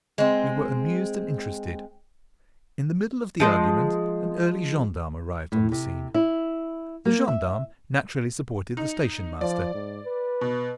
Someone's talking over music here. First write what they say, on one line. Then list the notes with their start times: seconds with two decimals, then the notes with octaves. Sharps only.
We were amused and interested. In the middle of the argument an early gendarme arrived on the scene. The gendarme naturally supported the station-master.
0.18 G#3 C4
3.40 F3 G#3 C5
5.52 A2
5.72 C3
6.14 E4
7.05 A#3
7.28 E5
8.77 D#4
9.41 F3 D5
9.74 G#2
10.05 B4
10.41 B2